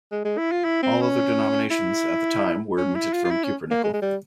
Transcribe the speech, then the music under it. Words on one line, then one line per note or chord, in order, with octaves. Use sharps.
All other denominations, at the time, were minted from cupronickel.
G#3
G#3
E4
F4
E4
C4
C#4
E4
C#4
E4
F4
F4
E4
C#4
A#3
G#3
G#3
G3